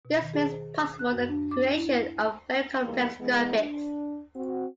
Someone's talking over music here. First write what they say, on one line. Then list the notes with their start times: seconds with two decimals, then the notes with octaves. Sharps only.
This makes possible the creation of very complex graphics.
0.05 B2
0.21 D#3
0.34 G#4
0.52 C5
0.80 E6
0.99 F#6
1.13 F#2
1.29 D4
1.51 D6
1.75 E4
2.82 E2 G#2 G3 A#3
3.18 E3 G#3 B3
3.58 D4
4.35 C4 F#4